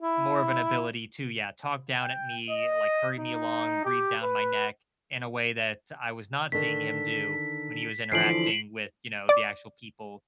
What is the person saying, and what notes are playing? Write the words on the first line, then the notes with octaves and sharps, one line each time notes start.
more of an ability to, yeah, talk down at me, like hurry me along, breathe down my neck in a way that I was not seeing him do when he was interacting with, you know, the actual people
E4
G5
D#5
D#4
G4
B4
D3 D#3 B6
D3 E3 F3 C7 D7 F#7
D5